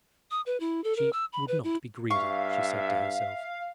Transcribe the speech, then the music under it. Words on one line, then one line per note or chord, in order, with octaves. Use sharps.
She would not be greedy, she said to herself.
D#6
B4
E4
A4
A#4
E6
B5
B4
E4
G2 E5 F5 C#6